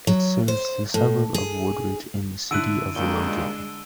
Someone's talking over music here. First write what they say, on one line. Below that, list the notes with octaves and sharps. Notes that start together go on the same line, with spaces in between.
It serves the suburb of Woodridge in the City of Logan.
F#3
C5
A2
G#4
D3 E4 E6 F#6 D7 D#7
D#2 A#2 G#3 D4 G7